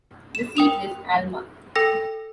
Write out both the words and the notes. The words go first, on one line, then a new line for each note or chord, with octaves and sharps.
The seat is Alma.
E7
A#4 G5 D#6 F7
A4 G5 E6 A#6